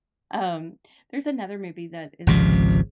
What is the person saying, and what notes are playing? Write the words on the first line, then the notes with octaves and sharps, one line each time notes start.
Um, there's another movie that is
G#1 C#2 C3 F3